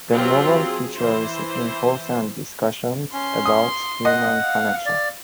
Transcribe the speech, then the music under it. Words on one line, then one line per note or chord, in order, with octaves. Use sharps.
The novel features important discussions about human connection.
F#3 C4 F4 G4
G#4
E3 C5
C#4 C6
D#6
D#5 F#5
F5
D5